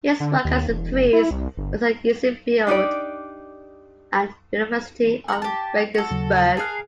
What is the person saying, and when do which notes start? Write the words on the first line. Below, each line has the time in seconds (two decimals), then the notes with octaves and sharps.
His work as a priest was at Geisenfeld, at the University of Regensburg.
0.20 D3
0.45 D#2
0.69 E1
0.93 F#1
1.13 E4
1.31 C2
1.57 G1
2.67 D4 D#4 G4 D5
5.28 F#5 A#5
5.42 G4 A5
5.94 F#4 A4
6.11 D#2 C#3 F#3
6.57 G#4 A#4 F5 A5 F#6